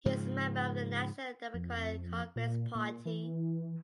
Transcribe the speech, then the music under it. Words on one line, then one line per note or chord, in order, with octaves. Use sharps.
He is member of the National Democratic Congress Party.
G#2 C#3 F3
F2
A#2
A#2
E3